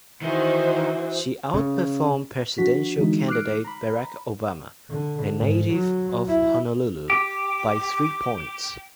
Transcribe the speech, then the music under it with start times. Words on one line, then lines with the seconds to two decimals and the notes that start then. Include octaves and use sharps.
She outperformed presidential candidate Barack Obama, a native of Honolulu, by three points.
0.22 D#3 E3 D#4 F#4 C5
1.54 C#3
2.58 F3 D4 F#4 B6
2.98 D3 E3 G#3 D#4
3.28 D6 F6 F#6 C7 D7
3.64 A#5 B5
4.90 D3
5.37 G#2
5.73 F#3
6.28 E4
7.10 G4 D6